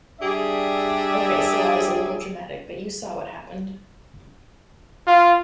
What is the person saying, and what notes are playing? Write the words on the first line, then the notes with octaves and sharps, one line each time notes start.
Ok, so I was a little dramatic, but you saw what happened!
G3 D4 G4 G#4 E5
F4